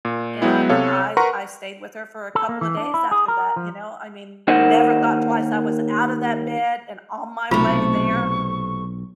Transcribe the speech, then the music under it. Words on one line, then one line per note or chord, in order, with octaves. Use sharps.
and I I stayed with her for a couple of days after that, you know, I mean, never thought twice, I was out of that bed and on my way there.
A#2
F#3 G#3 B3 E4
C3 A4 C#5 F5
A#4 B4 F#5 A#5 C6 C#6
A4
A#3
E3
D4
E4
G#4
A#4
F3
D#2 D#4 A#4 C5 D#5 F#5
B1 C3 A3 F4 B5 C#6